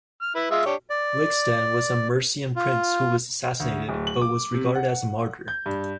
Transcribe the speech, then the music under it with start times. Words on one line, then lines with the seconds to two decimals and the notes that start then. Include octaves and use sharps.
Wigstan was a Mercian prince who was assassinated, but was regarded as a Martyr.
0.23 F6
0.36 E4 B4
0.51 G#3 F4 E5
0.66 D4 G4 C#5
0.90 D5
2.56 F4
3.60 D2
3.89 D1
4.07 F#7
4.21 D6
4.54 C3
4.75 F#5
5.48 G6
5.66 G2